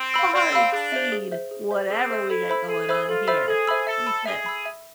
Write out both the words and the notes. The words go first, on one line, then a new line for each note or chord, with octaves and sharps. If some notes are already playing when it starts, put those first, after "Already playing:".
far exceed whatever we got going on here. We ca
Already playing: C4
F5 B5 E6
C4 D5
F5 B5 E6
D4 G#4
C5 E5
G#4
C5 E5
G#4
C5 E5
C4 G#4
C5 E5
E4 A4
C5 E5 B5 E6
G#4 A4
C5 E5 B5 E6
F4 A4
C5 E5 B5 E6
G#4 A4
C5 E5 B5 E6
A4 E5
B5 E6
G#4 E5
B5 E6
E5